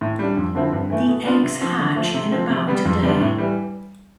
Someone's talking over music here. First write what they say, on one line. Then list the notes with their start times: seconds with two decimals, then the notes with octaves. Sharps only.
The eggs hatch in about a day.
0.01 A2
0.19 G3 D4
0.37 F2
0.55 D3 F3 C4 E4
0.73 G2
0.90 E3 A3
1.07 B2
1.26 B3 D4 F4
1.43 C3
1.61 F3 C4 F4
1.79 D3
1.96 F3 A3
2.14 C3
2.32 F3 C4
2.50 C3
2.67 G3 B3
2.85 F2
3.03 C3 G3 B3 D4
3.21 A2
3.38 E3 G3